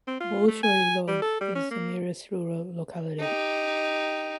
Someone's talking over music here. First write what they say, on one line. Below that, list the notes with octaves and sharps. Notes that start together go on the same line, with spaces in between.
Bolshoy Lug is the nearest rural locality.
C4
F4
A3
G#5
G3
A4
G3
C#4
A#3
D#4 G4